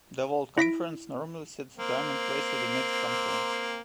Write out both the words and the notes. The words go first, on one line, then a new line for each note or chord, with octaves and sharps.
The world conference normally sets the time and place for the next conference.
E4 A#6 B6 D7
A#3 C4